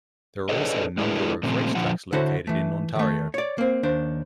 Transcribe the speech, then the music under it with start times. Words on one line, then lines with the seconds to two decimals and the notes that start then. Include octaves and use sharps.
There are also a number of racetracks located in Ontario.
0.49 D4 G#4 A4 B4 C#5 D#5
0.98 G#3 D4 E4 G#4 A#4 B4
1.43 A#2 C#3 F3 A3 C4
1.75 A#2 D3 F3 F#5
2.13 D3 E4 F#4 A4 C5 C#5
2.47 E3 A3
2.96 D#3 A3
3.34 C#5 D5
3.58 A#3 C4
3.83 D#2 D4 C5